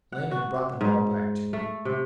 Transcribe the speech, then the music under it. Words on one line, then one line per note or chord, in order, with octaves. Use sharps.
Lena had brought them all back to me.
F#5
F#4
G#2
A3
C3